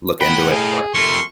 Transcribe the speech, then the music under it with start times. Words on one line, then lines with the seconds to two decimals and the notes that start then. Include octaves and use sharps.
look into it more.
0.21 A2 F#5 G5 B5
0.51 D#4 G#4 F5
0.95 F2 A3 G4 A#4 C6 C#6